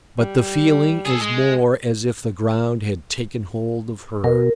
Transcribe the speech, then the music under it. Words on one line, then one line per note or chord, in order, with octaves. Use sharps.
But the feeling is more as if the ground had taken hold of her.
G3
G#4 A4
G#3
B2 A#4